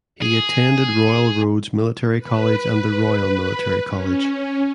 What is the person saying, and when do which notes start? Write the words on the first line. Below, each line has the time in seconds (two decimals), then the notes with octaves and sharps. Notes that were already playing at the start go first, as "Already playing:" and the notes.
He attended Royal Roads Military College and the Royal Military College.
0.22 G#4
2.19 B4
3.89 C#4